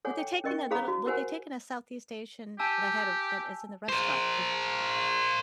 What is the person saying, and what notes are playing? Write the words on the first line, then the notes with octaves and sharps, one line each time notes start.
Would they take in a little would they take in a Southeast Asian that had a that is in the restaurant the
A4 C#5 F#5 G#5 D6
C#5 G5
C#4 A#4 D#5 G5 C#6
G#4 C5 F5 A#5 B5 D#6
F#4
G4 A#4 C5 F#5 G#5
G4 G#5 A5 E6
A#4 C5